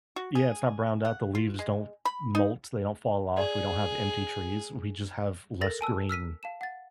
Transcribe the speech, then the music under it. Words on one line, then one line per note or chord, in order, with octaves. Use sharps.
Yeah, it's not browned out, the leaves don't molt, they don't fall of, we don't have empty trees, we just have less green
F#4
G#4
F#5
F4
G#3
B5
D#4
G#4 D5
A4 A#4 A6 A#6
G#5 A5 E6
E6 F6 B6 D#7
F5 A5 E7
F#5 A6